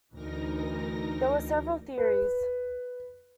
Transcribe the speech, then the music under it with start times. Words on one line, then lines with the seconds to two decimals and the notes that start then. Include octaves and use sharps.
There were several theories.
0.14 D2 E3 D#4 A#4 A#6
1.98 B4